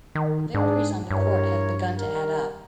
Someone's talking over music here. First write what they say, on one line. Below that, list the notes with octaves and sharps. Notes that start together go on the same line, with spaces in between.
The victories on the court have begun to add up.
D#3
G#2 D4 G#4
G2 E4 A#4 C#5
D#3 G3 A#4